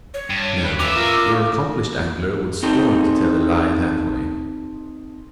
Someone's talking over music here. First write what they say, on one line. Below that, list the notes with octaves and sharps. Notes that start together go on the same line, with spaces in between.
No; your accomplished angler would scorn to tell a lie, that way.
C#5
G2
B4
C#4 E5 D6
F4 A#4
C4 D#4 G4 A4